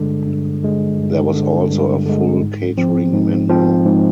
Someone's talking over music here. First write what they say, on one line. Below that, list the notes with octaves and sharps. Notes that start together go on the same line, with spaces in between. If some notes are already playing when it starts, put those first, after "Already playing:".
There was also a full catering menu.
Already playing: G2 D3 G#3
G2
D3 G#3
G2
D3 G#3
G2
D3 G#3
G#2
F3 C4
G#2
F3 C4
G#2